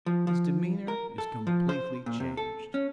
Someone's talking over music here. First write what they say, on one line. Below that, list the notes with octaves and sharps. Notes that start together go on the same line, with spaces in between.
His demeanour is completely changed.
F3
F3
A#4
A4
F3
C5
A#2
C3
A4
C#4